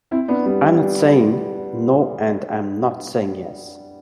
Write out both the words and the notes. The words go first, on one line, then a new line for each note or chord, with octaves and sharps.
I'm not saying no and I'm not saying yes.
C4 E4
B3 D4
G3 B3
G3